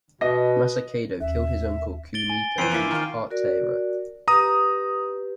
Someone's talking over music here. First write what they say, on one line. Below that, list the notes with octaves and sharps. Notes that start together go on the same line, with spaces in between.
Masakado killed his uncle Kunika who was part Taira.
B2 B4 D#5 A#6
D#2 E5
A6 D7 G7
G#5 A6
F2 E3 C7 D7 D#7
A#3 E4 D6
D#3 F4
F#4 A#4 D5
G4 B4 A#5 D#6